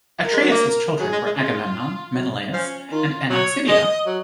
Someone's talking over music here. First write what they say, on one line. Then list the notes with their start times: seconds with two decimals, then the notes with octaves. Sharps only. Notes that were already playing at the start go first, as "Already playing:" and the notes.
Atreus' children were Agamemnon, Menelaus, and Anaxibia.
0.22 A#4
0.33 G#3
0.42 F#3
0.51 A#3
0.61 A#4
0.99 F#3 G#4
1.12 G#3
1.26 G#3
1.38 G#3 F4
2.14 F#3
2.53 F3 C#4
2.91 D#3 F4
3.30 F#3 C#5
3.68 G#3 D#5
4.06 F#3